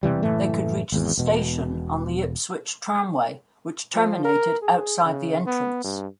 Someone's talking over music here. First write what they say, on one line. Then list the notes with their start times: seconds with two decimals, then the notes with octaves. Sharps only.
They could reach the station on the Ipswich Tramway which terminated outside the entrance.
0.03 E1 C3 E3 G3
0.22 F#1 A2 E3 A3
0.92 G#1 E2
1.17 E1 B2
3.95 F3
4.25 A#4
4.62 G#4
5.05 C#3
5.46 B3
5.84 G2